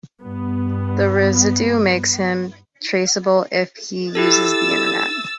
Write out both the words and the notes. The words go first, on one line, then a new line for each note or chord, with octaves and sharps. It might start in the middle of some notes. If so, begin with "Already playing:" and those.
The residue makes him traceable if he uses the internet.
G2 B3
E4 G4 A4 E6 A6